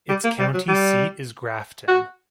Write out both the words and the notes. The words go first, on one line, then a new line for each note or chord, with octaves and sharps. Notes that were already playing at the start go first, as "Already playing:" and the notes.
Its county seat is Grafton.
G3
A#3
G3
F#3
G3
F#4